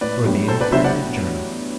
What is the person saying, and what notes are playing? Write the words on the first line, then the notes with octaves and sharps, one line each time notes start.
For the Independent Journal.
A2 B4 D5
F#3 B3 D4 G4
A2 A4 C5
B4 D5
F#3 B3 D4 G4 C5 E5
D5 F#5